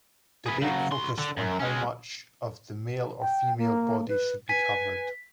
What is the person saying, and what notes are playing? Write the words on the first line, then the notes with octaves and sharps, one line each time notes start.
Debate focused on how much of the male or female body should be covered.
G#4 B4
C#3 F#3
F#4 C6
D3
F#2
G#3 C#4
G5
A#3
B4
B4 G#5 B6